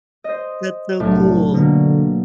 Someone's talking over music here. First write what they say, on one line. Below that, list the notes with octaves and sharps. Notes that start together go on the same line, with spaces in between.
That's so cool.
C5 D#5
C2 A2 F#3 D4
B2 D3 A#3